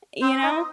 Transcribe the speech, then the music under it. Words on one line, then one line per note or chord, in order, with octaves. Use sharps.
You know?
C4 C5
D#4 D#5